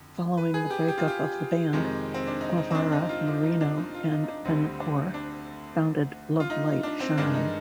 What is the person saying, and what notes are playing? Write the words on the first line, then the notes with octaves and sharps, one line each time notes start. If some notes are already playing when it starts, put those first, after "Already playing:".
Following the breakup of the band, Guevara, Murino, and Vanacore founded Lovelight Shine.
Already playing: F2 D3
B4
G#4
G4
G4
F4
G4
F2 C3 D#3 G#3
C4
D4
D#4
D#4
C4
D4
D#4
F4
D#4
D#4
D4
D#4
F4
F4
D#4
D#4
D4
D2 D3 G3 C4
D4
D4
F4
D#4
D4
C4
G2 D#3 G#3 D4
D#4